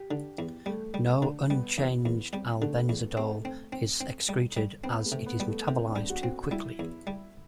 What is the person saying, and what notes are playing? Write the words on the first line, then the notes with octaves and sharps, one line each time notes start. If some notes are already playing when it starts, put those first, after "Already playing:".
No unchanged albendazole is excreted, as it is metabolized too quickly.
Already playing: G4
D3
E2
G3 A3
G3
D3
G3 B3
E2
E2
G3 C4
D3 A3
B3
E2
A3 C4
C4
C4
C4
G3
G3
B3 C4
A3
C3
B3
G3
A3
C3 C4
D4
G3
F#4
C4
G3 E4
E2
G3